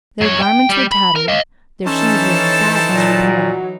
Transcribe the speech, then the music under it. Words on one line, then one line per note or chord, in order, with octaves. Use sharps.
Their garments were tattered, their shoes were in sad disrepair.
F#2 C#5
G5
G3
B5
A#4
D#5 F5
E3 C#4 D#4 A4 C5 A5
A#2 F#3